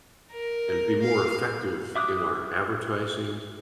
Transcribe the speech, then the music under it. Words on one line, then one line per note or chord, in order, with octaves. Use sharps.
and be more effective in our advertising
A#4
F5
E5 D6 D#6 F#6